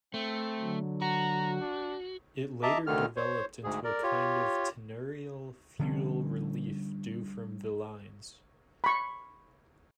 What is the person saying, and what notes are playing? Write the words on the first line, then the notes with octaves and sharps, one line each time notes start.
It later developed into a kind of tenurial feudal relief due from villeins.
A3 C4
D3 F#3
F#4 A#5
D4
D#5 E5 A5 A#5 D6
D2 D3 D#3 F6
C5 C#5
D2 G#2 G#4
A#4 D5
F4 G4 C#5
D3 F3 G3 C#4
B5 C#6